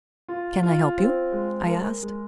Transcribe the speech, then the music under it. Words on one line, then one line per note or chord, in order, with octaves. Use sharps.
"Can I help you?" I asked.
F4
F4
C4
G#3
A#4
G#3